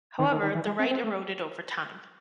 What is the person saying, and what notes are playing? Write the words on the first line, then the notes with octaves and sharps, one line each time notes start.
However, the right eroded over time.
D#3
D#3
D#3
E3
G#3
C4
C4
A3